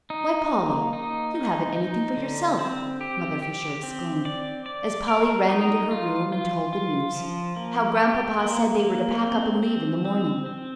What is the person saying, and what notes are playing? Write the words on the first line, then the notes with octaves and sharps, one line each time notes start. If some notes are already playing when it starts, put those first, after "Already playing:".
"Why, Polly, you haven't anything for yourself," Mother Fisher exclaimed, as Polly ran into her room and told the news--how Grandpapa said they were to pack up and leave in the morning.
D#4
A#3
D#4
D#4
D#4
D3
C4
G4
G4
C4
D5
D5
A#4
D#4
F4
F4
F4
F3
A#3
G4
A#3
A#3
C4
C4
C4
C4